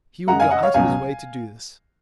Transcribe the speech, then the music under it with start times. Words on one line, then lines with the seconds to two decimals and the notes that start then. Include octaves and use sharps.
He would go out of his way to do this.
0.27 F#2 C#3 G#3 F#5 A#5
0.40 F5 G#5
0.51 D#5 F#5
0.63 C#5 F5
0.74 C#2 B2 F#3 F5 G#5